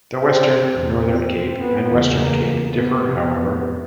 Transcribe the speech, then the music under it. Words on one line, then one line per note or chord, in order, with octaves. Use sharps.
The western Northern Cape and Western Cape differ however.
C4
E2 C3
C4
B3
E2 C#3
A#3
A#3
B3
F2 C3
B3